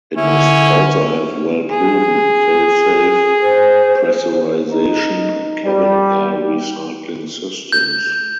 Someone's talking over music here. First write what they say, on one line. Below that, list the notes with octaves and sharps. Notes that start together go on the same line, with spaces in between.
It must also have well-proven, fail-safe pressurization and cabin air re-cycling systems.
D3 C#4 E4
G#4
C5
D#4
G3
G6